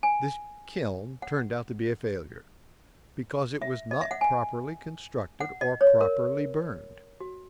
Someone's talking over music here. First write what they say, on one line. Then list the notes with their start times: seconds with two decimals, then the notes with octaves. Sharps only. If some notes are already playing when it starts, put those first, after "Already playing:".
This kiln turned out to be a failure, because it was not properly constructed or properly burned.
0.03 G#5
1.22 F#5
3.62 E5
3.91 D#5
4.01 E5
4.11 F#5
4.21 G#5
5.40 F#5
5.61 D#5
5.81 C#5
6.01 A#4
7.20 F#4